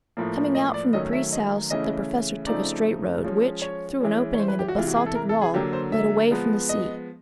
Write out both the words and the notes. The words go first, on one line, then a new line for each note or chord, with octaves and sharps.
Coming out from the priest's house, the Professor took a straight road, which, through an opening in the basaltic wall, led away from the sea.
A2 F3 A#3
D#5
D5
D#3 F#3 A3 C#4 D#5
E5
D#5
C#3 E3 A3 C#4 D#5
C#3 F3 A3 C4 D#4 D5
F3 G#3 C#4
C#5
E3 G#3 C#4
C#5
C5
B4
G4
F#4
C3 E3 G#3 F4
F#4
G#4
A4
A#4
A4
G#4
D3 F#3 A#3 G4
C5
E5
F3 G#3 B3
D#5